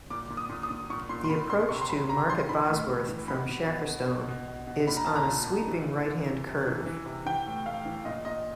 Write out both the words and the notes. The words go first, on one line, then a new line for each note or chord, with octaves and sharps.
The approach to Market Bosworth, from Shackerstone, is on a sweeping right-hand curve.
A#2 D6
A#2
D#6
A#2
D#6
A#2
A#2 C#6
A#2 C6
C6
A#2 B5
A#2 C6
C3 C#6
C6
C3 B5
C3 A#5
E3 C6
E3 B5
A2
A2
E3
B2 B5
B2
B2
B2
B2
B2
B2
B2
A#2 B5
A#5
A#2 A5
A#5
A#2
A#2
E3
E3
E3
E3
C3
E3
E3
C3
E3 G5
A2
A2 F5
E3
A#2 D#5
A#2 D#5